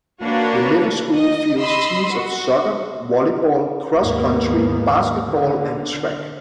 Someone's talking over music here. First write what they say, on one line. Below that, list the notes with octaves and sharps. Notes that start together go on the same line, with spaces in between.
The Middle School fields teams of soccer, volleyball, cross-country, basketball, and track.
A#3 D4 F#4 B4 C#5
D#5
D#5 B5 C6 E6
F#4
D#2 G#2 A#3 B3
D3